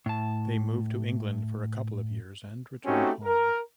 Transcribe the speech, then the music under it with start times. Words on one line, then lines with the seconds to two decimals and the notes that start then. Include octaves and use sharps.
They moved to England for a couple of years and returned home.
0.06 A2 A5
2.86 A3 C4 C#4 D#4 F#4 G4
3.23 A#4